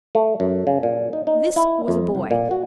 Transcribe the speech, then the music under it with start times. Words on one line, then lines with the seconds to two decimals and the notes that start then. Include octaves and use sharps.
This was a boy.
0.15 A3
0.40 F#2
0.67 C#3
0.83 A#2
1.13 D#4
1.27 D#4
1.56 E4
1.88 F2
2.15 C2
2.31 A#2
2.51 F#4